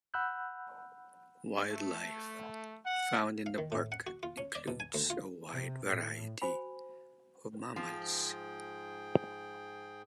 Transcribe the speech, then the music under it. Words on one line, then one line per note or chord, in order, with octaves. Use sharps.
Wildlife found in the park includes a wide variety of mammals.
F#5 B5 E6 F#6 G6
A3
F#5
F5
D#3
A2
F#5
F#4
F4
C#4
D5
B2
G#5
D2
F4
C3
A2
F#4 C5 G#5 B5
G#2 F3 G#4 G5